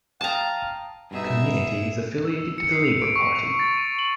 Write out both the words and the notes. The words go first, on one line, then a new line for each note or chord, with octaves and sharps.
Community is affiliated to the Labour Party.
F5 G5 A5 A#5 D#6
G2 B2 D#4 G#4 E5
E6
C#7
C7
F7
D7
C#6
F7
A6
D#7
F#7